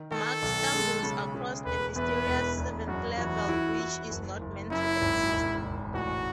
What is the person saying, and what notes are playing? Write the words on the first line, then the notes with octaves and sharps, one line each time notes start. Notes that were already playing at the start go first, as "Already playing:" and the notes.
Mark stumbles across a mysterious seventh level which is not meant to exist.
Already playing: D#3
D#3 A4
B1
G#3
C#3
C#3
E1 B4
E2 B4
E1
E1
F#2 F#4
E3 F#4
E4
E4
F#1
F#1
F#2 E4
G#1
E1
E1
A1 F#4